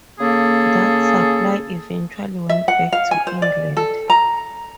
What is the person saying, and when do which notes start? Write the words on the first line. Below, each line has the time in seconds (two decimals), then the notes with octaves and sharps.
That supply eventually went back to England.
0.20 C#3 A#3 G#4 A4
2.49 E5
2.68 F#5
2.93 F5
3.11 G#5
3.27 C5
3.42 D5
3.77 A4
4.10 A#5